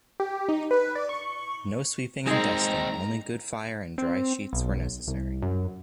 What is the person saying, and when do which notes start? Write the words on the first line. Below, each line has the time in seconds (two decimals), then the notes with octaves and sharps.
No sweeping and dusting, only good fire and dry sheets were necessary.
0.20 G4
0.49 D#4
0.71 B4
0.95 D5
1.09 C#6
2.27 D#3 G#3 C4 D#4 G#4 A#5
3.98 C4
4.53 B1
5.08 C2
5.42 F#2